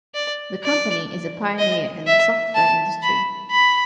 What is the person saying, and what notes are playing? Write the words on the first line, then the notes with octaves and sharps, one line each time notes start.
The company is a pioneer in the software industry.
D5
D5
D#5
E5
A5
B5
B5